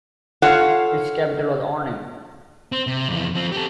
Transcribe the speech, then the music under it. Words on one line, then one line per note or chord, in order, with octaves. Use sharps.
Its capital was Arnhem.
F4 A4 C#5 F5 F#5
C4
C3
F2 E3
F3 C4
G4 A4